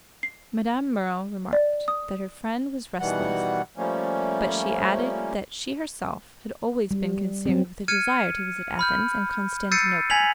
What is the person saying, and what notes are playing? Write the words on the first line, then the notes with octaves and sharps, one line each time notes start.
Madame Merle remarked that her friend was restless, but she added that she herself had always been consumed with the desire to visit Athens and Constantinople.
C7
D5
D#6
B2 D#3 E3 G3 F#5
F3 G3 A3 A#3 C#4
G3
F#3 C4
F6 G#6 C#7 D#7
B5 F6 G6
E6 G6 A6 C7 C#7 D#7
G#5 G#6 B6 F7 F#7